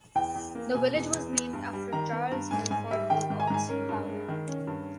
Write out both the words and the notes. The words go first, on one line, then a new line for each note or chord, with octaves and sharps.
The village was named after Charles Milford Wilcox, founder.
E2 G5
E2
A#3
B2 G#5
E2
E2
B3
G2
G3
D#3 A#5
B3
G2
G#2 G#5
G#2 G#5
G3 E5
D#3 G5
G#2
G#5
A#5
G#2 G#5
C#4 A#4
G2
G#3
D#3
C#4
G2